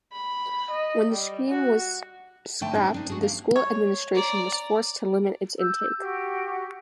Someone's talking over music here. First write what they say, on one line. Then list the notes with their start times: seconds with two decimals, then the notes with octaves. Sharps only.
When the scheme was scrapped, the school administration was forced to limit its intake.
0.13 B5
0.71 D#5
1.11 G3
1.48 F#4
2.61 D3 A3 G5 A5
2.74 G3 C4 D4 D#4
2.94 D4 D#4
3.07 F#4 G#4 A5
3.21 G3 A#3
3.56 C#5
4.15 D5 A#5
5.60 E6 G6
6.00 F#4 G4